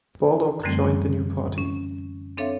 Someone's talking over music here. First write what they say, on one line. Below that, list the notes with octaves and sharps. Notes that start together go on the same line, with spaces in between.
Baldock joined the new party.
F#2 D3 E3 G3 A3 C4
C#4
C4 D4 A4 C#5 E5 F5